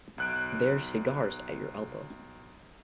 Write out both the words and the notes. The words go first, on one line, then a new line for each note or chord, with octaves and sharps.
There's cigars at your elbow.
B1 F#6 D7